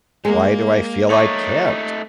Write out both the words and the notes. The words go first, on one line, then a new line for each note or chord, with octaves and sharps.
"Why do I feel I can't
G#3 A#3
A3 D#4 C#5 D6